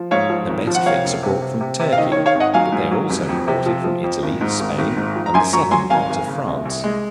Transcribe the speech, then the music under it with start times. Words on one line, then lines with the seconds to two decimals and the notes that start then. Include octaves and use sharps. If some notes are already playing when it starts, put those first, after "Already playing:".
The best figs are brought from Turkey, but they are also imported from Italy, Spain, and the southern part of France.
Already playing: F3
0.11 G#2 C#5 F5
0.30 F3
0.49 G#1
0.67 F3
0.75 F#5
0.86 C3 C#5 F5
1.04 F#1
1.23 C3
1.42 C3
1.61 C3
1.80 C3
1.92 F5
1.98 D#3 D#5
2.12 C#5
2.17 D#3
2.26 C#5 F5
2.35 G#1
2.40 D#5 F#5
2.54 F#3 F5 G#5
2.72 G#2
2.91 F#3
3.10 F1
3.29 F2
3.48 C3
3.66 F3
3.84 F3
4.04 F2
4.22 G#1
4.41 G#2
4.60 G#1
4.78 G#1
4.97 G#2
5.16 F3
5.26 A#5
5.34 F#2 G#5 C6
5.53 F#3 A#5 C#6
5.71 F#3 G#5 C6
5.90 G#1 F5 G#5
6.10 G#1
6.27 C#3
6.47 C2
6.65 C2
6.84 G#3